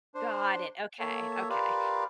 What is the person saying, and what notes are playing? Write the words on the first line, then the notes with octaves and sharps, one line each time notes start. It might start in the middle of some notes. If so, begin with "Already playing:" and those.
Got it. Okay, okay.
D4 C5
A#3 A4 C#5 E5
F4 G4 A#4 B4 D5 F5